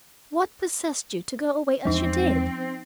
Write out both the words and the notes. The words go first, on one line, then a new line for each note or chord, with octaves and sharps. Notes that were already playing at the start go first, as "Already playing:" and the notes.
What possessed you to go away as you did?
E2 F3 G#3 C4 D#4